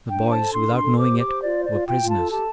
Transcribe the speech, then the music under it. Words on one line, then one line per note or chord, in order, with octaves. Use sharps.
The boys, without knowing it, were prisoners.
D4 G5
C5
A5
A4
D4 C6
D4
C6
A4
C5 D6
G4
D6
C5
F4 D5
C5
D5
F4
F4 G5
F4
A5
A4
G4 A5